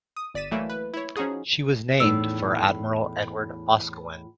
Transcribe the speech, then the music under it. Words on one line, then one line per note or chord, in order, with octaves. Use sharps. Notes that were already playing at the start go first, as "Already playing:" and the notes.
She was named for Admiral Edward Boscawen.
D#6
G1 D5 A6 B6 D#7 E7
E3 F#3 A3 A#3 E4
B4
E4 C#5
F3 C#4 D#4 F#4 G#4
E2 A2 D#4 E6